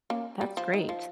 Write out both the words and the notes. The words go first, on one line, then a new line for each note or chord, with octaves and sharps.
That's great.
A#3 C#4
G3
F3
D#3
F3